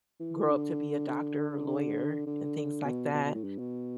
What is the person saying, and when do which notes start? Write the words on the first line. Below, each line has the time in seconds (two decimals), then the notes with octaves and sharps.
grow up to be a doctor or lawyer and things like that,
0.20 E3
0.50 D3
1.09 D3
1.67 D3
2.26 D3
2.84 B2
3.14 B2
3.25 B2
3.34 A2
3.44 G2
3.59 B2